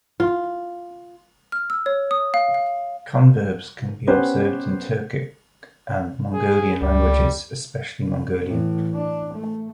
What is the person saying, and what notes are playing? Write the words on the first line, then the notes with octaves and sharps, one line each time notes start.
Converbs can be observed in Turkic and Mongolian languages, especially Mongolian.
F4
F6
E6
C#5
D#6
F5
F5
B3 C#4 G4 B4 C5
G#4
C#2 G3
A2 E3
D4
A3